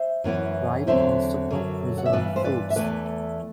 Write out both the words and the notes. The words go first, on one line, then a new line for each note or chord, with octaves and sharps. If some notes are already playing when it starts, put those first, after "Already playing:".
Ripe and super preserved fruits.
Already playing: C5 E5
F#2 E3 B3 E4
E2 D3 F#3 C4 C5 E5
F#2 D3 F#3
F#5
E5
G2 E3 B3 D4 B4 D5
C5
B4 D5
E5
E2 C3 E3 A3 B4 D5